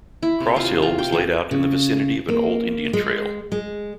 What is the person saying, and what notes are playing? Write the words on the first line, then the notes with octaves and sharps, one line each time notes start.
Cross Hill was laid out in the vicinity of an old Indian trail.
E4
C3
F4
F4
G5
F3
C#3
A#3
G#3
G#3